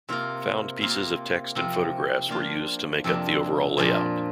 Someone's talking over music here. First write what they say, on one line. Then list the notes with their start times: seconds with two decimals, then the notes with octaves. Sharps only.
Found pieces of text and photographs were used to make up the overall layout.
0.09 C3 A#3 F4 A#4
0.81 C3 A#3 F4 A#4
1.55 C3 F3 C4 A#4
2.29 F3 A#3 D4 F4
3.04 F2 C3 A#3 D4
3.78 A#2 F3 D4 A#4